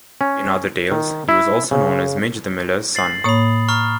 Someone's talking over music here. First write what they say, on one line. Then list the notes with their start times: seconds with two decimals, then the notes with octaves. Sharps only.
In other tales, he was also known as Midge the Miller's son.
0.21 C#4
0.91 D#3
1.29 E4
1.71 C#3
2.95 A6 C7 F#7
3.24 A2 A#3 C#5 B5 D#6
3.69 A#5 C#6 F6